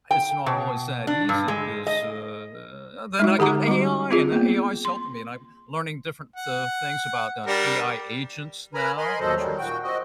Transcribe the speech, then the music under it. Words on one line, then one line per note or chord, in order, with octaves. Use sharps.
it's not always that easy 'cause, uh, then I got AI and that AI's helping me, and I'm learning different, uh, things about AI agents now, which are,
G5
B2
D4
G2
G#3
D#5
G#3 D#4 F#4
D3 G4 F#5 A#5 D6
G3 F#4
C4 F4 G#4
A#3 B3
C6
F#5
G3 D4 A#4
A#4 B4 G#5 A#5 B5
A#4 D#5 G#5 B5 C6
D#2 B2 F#3 A4 C5 D#5
D#3 F#3 G3
A#2 F#4 G5
C4 F#4 D#5